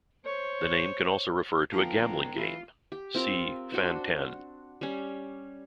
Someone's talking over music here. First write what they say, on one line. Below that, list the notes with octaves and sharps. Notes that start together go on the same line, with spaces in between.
The name can also refer to a gambling game, see Fan-Tan.
C5 C#5
G#2 D3 F3 B3 G5 A#5
E3 F4
G4
C4 F4 A#4
D4 F#4 C5
G3 C#4